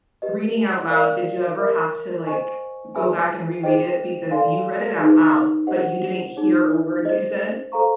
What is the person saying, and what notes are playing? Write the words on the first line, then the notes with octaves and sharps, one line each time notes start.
reading out loud, did you ever have to, like, go back and reread it, because you read it out loud, but you didn't hear a word you said?
G4 B4 D#5
A#4 D5 F5
A#4 C#5 E5
C5 D#5 G#5 C#6
G#4 B4 E5 G#5 B5
G#4 C5 D#5 G5
A4 D5 F5 G#5 C6
D#4 G#4 B4
D4 G4 C5 D#5 F#5
D#4 G#4 C#5
G#4 C5 D#5
A4 C5 F5 A#5 C#6